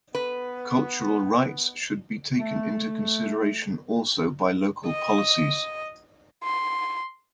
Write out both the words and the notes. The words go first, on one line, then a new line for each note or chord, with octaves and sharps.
Cultural rights should be taken into consideration also by local policies.
B3 B4
A3
D#5
C6